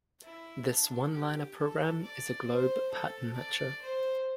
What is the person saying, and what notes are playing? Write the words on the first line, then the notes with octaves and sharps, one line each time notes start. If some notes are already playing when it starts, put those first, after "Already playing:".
This one-liner program is a glob pattern matcher.
E4
D4
G4
A4
D5
C5
A4
D5
C5